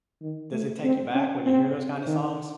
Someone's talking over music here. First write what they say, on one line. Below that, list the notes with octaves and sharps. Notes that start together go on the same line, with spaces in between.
Does it take you back when you hear those kinda songs?
D#3
A3
C4
C#4
C4
D#3